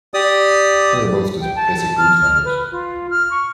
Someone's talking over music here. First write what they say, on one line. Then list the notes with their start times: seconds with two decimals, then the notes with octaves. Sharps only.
They were both just basic blues numbers.
0.14 G4 D5 D#6
1.40 G5
1.56 A5
1.98 F6
2.45 B4
2.72 F4
3.10 F6
3.31 C#6